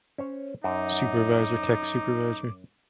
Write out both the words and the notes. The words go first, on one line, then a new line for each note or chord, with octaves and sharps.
Supervisor tech supervisor.
C#4 C5 C#5
F#2 D#4 D6